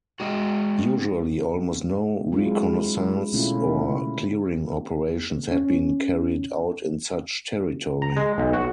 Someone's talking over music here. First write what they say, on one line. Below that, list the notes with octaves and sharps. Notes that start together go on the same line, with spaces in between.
Usually almost no reconnaissance or clearing operations had been carried out in such territory.
G#3 F#4
F#3 G#3 C4 D4 E4 F4
B2 D3 A3 C#4 E4 F4
C#4
A#5
G#3
B1
F#4